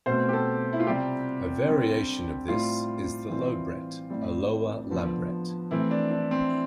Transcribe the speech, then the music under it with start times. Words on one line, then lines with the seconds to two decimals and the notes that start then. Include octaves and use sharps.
A variation of this is the lowbret, a lower labret.
0.06 B2 A3 C4 C5
0.29 G4
0.33 A4
0.73 E4
0.80 F4
0.87 C3 G3 C4 G4
1.67 D3 G3 C4
2.48 A2 G3 C4 F4
3.29 E3 G3 C4
4.10 A2 G3 C4
4.90 D3 F3 B3
5.71 E3 A3 C4 E4
5.91 D4
6.11 D4
6.31 C4